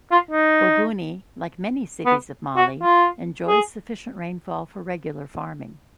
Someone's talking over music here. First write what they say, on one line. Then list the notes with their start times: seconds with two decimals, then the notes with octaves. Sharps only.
Bougouni, like many cities of Mali, enjoys sufficient rainfall for regular farming.
0.12 F4
0.31 D#4
2.05 B3
2.56 F#4
2.82 F4
3.48 G#4